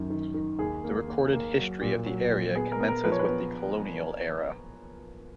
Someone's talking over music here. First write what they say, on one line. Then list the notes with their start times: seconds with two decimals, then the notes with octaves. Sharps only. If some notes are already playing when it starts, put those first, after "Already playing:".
The recorded history of the area commences with the colonial era.
Already playing: F#2 D#3
0.10 D#3
0.34 D#3
0.59 D#2 G#4
0.84 A#3
1.08 A#3
1.33 A#3
1.57 F#3
1.81 A#2
2.06 F#3
2.31 A#2
2.55 B3 G#4
2.72 A#4
2.80 B3
2.88 A#4
3.04 F3 B4
3.12 C#5
3.19 B4
3.29 B3